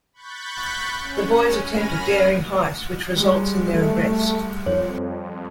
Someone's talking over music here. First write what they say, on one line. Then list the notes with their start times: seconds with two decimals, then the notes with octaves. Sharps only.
The boys attempt a daring heist, which results in their arrest.
0.13 B5 C#6 F#6 G6 A6 B6
1.00 C#4
1.60 F#2 G#5 B5 F6 A#6 D#7
3.16 G3 G#3
3.72 A3
4.66 F2 C#5